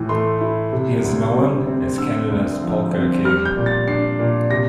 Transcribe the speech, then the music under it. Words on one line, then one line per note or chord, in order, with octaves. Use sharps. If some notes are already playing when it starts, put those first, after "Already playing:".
He is known as Canada's Polka King.
Already playing: A2 E3
A3 C6
E4
C3
D2
G3
C4
D3 E6
D2
F3
C4
G3 F6
G6
A#2
A6
D4 C7
A#2
C3 A#6